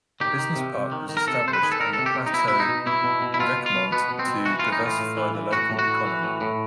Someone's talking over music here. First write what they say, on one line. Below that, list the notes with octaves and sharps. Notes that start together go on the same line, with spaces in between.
A business park was established on the plateau Vecmont to diversify the local economy.
D#3 G4
D#3
C3
C3
D#3
D#3
A#4
C3 A4
C3 C5
B4
D#3 G#4
A4
D#3 A#4
A4
C3
G4
C3
D#4
B2 E4
B2 E4
D#4
B2
B2 E4
B2
B2
E4
B2 F4
B2
F4
B2
B2 B3
B2
C4
B2
E3 F#4
F4
E3
D#4
A2 F4
A2
E3
E3
A2 F#4
A2
F#4
E3
E3
A2
A2